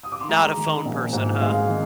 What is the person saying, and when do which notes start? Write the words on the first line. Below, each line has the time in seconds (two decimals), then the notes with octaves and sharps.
Not a phone person, huh?
0.03 D#6
0.12 D6
0.21 C6
0.29 G#3 A#5
0.57 D#3
0.85 A#1
1.13 G#2
1.41 G#3 F5
1.69 D#3